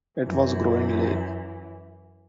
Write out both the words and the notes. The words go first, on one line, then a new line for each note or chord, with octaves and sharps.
It was growing late.
F#2 E3